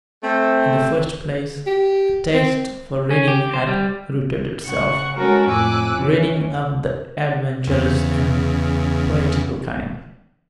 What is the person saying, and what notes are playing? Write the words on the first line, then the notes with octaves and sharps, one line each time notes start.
In the first place, a taste for reading had rooted itself--reading of the adventurous and poetical kind.
A3 C4
G4
C4
C#4
G4
C5
G3
C#3 F#5 C#6
G#3 C#4 F#4 A4 A#4
F2 A2 G#5 D6 E6 F#6
E3 C#4
E2 C#3